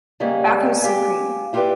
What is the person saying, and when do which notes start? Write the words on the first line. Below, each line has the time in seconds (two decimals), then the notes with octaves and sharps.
Bathos supreme.
0.20 C#3 G3 G#3 A#3 C#4
0.81 G4 F5 G#5
1.53 E4 F4 G4 G#4 B4 D5